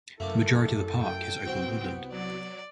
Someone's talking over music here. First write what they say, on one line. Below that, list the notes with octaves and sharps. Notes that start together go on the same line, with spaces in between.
The majority of the park is open woodland.
F#2 A3 A#3 E4 A4 D6
G5
C2 B3 C4 F#4 C5
F#3 D5